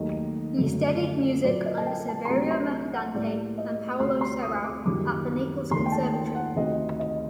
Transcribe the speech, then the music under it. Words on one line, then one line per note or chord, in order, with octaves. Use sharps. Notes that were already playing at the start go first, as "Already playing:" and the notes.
He studied music under Saverio Mercadante and Paolo Serrao at the Naples Conservatory.
Already playing: D#2 D#3 F#3 A3 D#5
F#2 D3 A3
A#2 F#3 A#3 D5
D#5
A5
G5
A5
C6
C2 C3 F#3 A3 A#5
C6
F#5
A2 G3 A#3 D5
D#5
D2 C3 G3 C6
C6
D#6
D6
F#2 D#3 G3 A#3 D6
D#2 D#3 A3 C6
G5
A5
G5
F#5
D2 C3 D#3 D#5
D#5